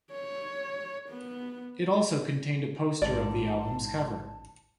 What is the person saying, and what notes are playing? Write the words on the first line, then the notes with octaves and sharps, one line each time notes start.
It also contained a poster of the album's cover.
C#5
B3
A1 E2 G#2 D5 A5